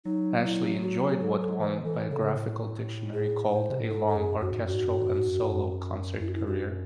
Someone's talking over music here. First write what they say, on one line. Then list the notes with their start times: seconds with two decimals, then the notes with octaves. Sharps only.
Ashley enjoyed what one "Biographical Dictionary" called "a long orchestral and solo concert career".
0.05 F#3 D#4
0.44 E4
0.82 F#4
1.01 G#4
1.20 A4
1.41 A4
1.59 E3 C5
1.85 E3 A4
2.10 C#3 A4
2.37 A2
3.14 G#4
3.51 C5
3.70 C3
3.80 A2
3.90 G#2 A4
4.07 A4
4.15 F#2 G#4
4.42 F#2 F#4
4.52 G#2
4.63 F#2 F#4
4.74 G#2
4.85 F#2
4.95 G#2
5.07 F#2
5.18 G#2
5.28 F#2
5.40 G#2
5.50 F#2
6.21 F#2 E4
6.28 F#4
6.35 E4
6.47 F#4